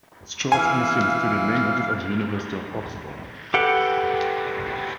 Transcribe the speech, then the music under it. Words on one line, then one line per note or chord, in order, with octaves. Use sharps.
Strauss initially studied languages at the University of Oxford.
E3 F5 G#5
G4 A4 B4 F#5 G5